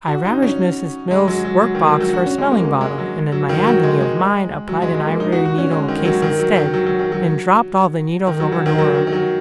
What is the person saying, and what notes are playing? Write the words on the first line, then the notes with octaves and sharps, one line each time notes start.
I ravaged Miss Mills's work-box for a smelling-bottle, and in my agony of mind applied an ivory needle-case instead, and dropped all the needles over Dora.
F#4
D#4
C#4
G#3
F#3
F#3
F#3
D#3
F#3
F#3
F#4
C#4
G#3
A#3
A#3
G#3
F#3
F#3
D#3
F#3
G#3
G#3
F#3
G#3
G#3
A#3
D#4
F#4
F#4
C#4
G#3
D#3
F#3
D#3
F#3
D#3
F#3
F#3
D#3
F#3
D#3
F#3
F#3
D#3
F#3
D#3
D#3
F#3